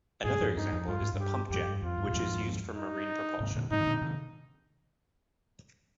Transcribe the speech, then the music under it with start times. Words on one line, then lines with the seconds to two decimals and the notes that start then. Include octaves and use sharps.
Another example is the pump-jet, which is used for marine propulsion.
0.24 G2 A#2 G#4
0.40 F2 G#2
0.57 G2 D#4
0.72 F2
0.88 G2 F4
1.01 G#2
1.14 G2
1.20 G4
1.50 F2 G#2 G4
1.66 G2
1.82 F2 F4
1.98 G2
2.08 A#2
2.13 F2 G#2
2.76 D#4
3.40 G#2 C3
3.55 A#2 D3
3.71 G#2 C3 D#4
3.80 D#3
3.86 A#2 D3
4.01 C3 D#3